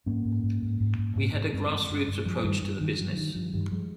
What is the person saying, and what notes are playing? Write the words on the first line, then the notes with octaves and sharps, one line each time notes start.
We had a grassroots approach to the business.
G#2 A#3 C#4
G#2
G#2
G#2
G#2
G#2
G#2
G#2
A#3
G2 G#3 C4
G2
G2
G2
G2 F3 G#3
G2 D#3 G3
G2
G2 D#3
G2 F3
G2 D#3
G2 F3
G2 D#3 G3
G2 F3 G#3